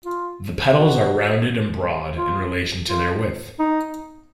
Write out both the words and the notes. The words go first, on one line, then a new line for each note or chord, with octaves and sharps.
The petals are rounded and broad in relation to their width.
F4
F#4
F4
F4
D#4